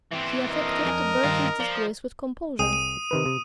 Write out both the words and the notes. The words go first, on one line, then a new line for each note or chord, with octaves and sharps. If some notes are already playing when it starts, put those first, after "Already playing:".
He affected to bear his disgrace with composure.
E3 C4
D4 A#4 D#5
F2 G#4 G#5
G2 D#3 C4 F4
F3 D5
C2 G#4 G5 D#6 D#7
D#7
C3 D#3 B4
C3